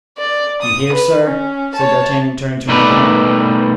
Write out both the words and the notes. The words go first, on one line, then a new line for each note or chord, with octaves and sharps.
"You hear, sir," said D'Artagnan, turning to Mordaunt.
D5
D#6
B4
C#4
C#5 A5
B2 D#3 G3 A3 B4 D5